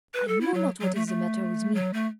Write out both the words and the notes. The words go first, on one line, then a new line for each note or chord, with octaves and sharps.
I know not what is the matter with me.
B4
A4
E4
F#3
F#3
A3
A3
F#3
A3